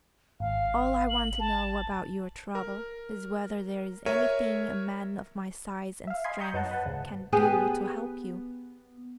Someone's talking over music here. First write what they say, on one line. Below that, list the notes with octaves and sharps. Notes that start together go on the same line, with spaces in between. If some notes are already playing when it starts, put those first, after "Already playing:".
"All I want to know about your trouble is whether there is anything a man of my size and strength can do to help you."
G#1 F5
F#7
A5
A#4
A#4 C#5 E5 D#7
E5 F5
D#5 G#5 B5 C6 G#6 C7
A#5 B5 C#6 D#6 G6
F#2 F#3 B3 D#4 F#5 A5
B4 F#5 A5
D2 G#2 C#3
B3 G4 G#4